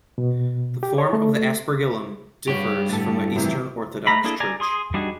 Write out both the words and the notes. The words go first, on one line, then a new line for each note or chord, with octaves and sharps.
The form of the aspergillum differs in the Eastern Orthodox Church.
B2
G4
C#5
A3
G2 F#4 G4 C#5 F5 C#6
A2 D3 A4 A6
A2 C3 E3 F3
A3 A#5 B5
A#3 D4 E4 G#4 A4
D5 G#5 A#5
G#4 C6 D#6
G3 D4 D#4 F#4 G#4